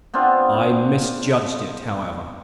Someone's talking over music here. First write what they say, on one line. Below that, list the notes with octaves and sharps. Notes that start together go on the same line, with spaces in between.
I misjudged it, however.
B3 C4 D4 F4